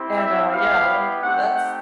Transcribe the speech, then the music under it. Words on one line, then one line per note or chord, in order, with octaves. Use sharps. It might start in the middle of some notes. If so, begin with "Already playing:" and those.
and, uh, yeah. Well, that's
Already playing: C4 E4 G4
E5
B3 E4 G4 F5
A3 C4 D#4 G4 F#5